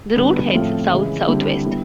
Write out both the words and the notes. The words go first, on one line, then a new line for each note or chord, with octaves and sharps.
The route heads south-south-west.
D3 G3 B3
A2 F3 A3 C4 F4
C#3 E3 G#3
D3 G3 C4 E4 G4
D3 G3 B3 E4 G4